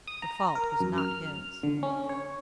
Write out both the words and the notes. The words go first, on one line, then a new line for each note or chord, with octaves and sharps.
The fault was not his.
D#6
A#5
A#4
F#2
F6
D3
C#4
C#5